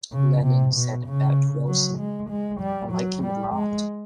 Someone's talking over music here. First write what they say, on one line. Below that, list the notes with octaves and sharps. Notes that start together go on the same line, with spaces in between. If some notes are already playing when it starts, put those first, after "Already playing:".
Lennon said about Wilson, I like him a lot.
C#3
C3
B2
C#3
F#3
G#3
G#3
G3
F#3
G3
G#3